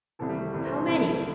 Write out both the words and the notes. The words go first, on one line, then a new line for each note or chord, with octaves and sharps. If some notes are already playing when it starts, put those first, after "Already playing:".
How many?
C2 C3 E3 A4
G3
A3
C2 C3 E3 A3
C5
C5
C2 C3 E3 A4